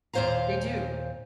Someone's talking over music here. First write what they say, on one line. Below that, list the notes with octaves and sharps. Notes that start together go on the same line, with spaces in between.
They do.
D#2 A#2 C#3 C5 F5 A#5